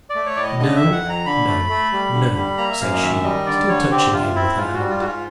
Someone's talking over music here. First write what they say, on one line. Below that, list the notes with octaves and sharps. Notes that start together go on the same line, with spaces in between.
"No, no, no," said she, still touching him with her hand.
D5
A3
C#5
A2 D5
D#5
D3 D#5
E5
F2
F#5
F2
A#5
D3 B5
A3
A3
G3
D3
G3
A#3 A#5
E5
F#2 F5
D#5
D#3 E5
G3 D#5
D3 D5
D3 C#5
C4 G4
C3 F4
C4 E4
G#2 F4
G3 F#4
F4
G#2 F#4
F4